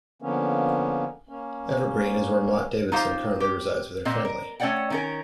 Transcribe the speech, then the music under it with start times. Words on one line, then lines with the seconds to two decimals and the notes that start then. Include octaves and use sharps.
Evergreen is where Mott Davidson currently resides with her family.
0.22 D3 F3 A#3 B3 C#4
1.29 A#3 C#4
2.92 D#4 F4 G4 C5 F5
3.40 G4
4.05 A#2 C4 D#5
4.25 A#4
4.60 A3 C#4 C#5 D5 F#5 G5
4.90 D#3 C#4 A#4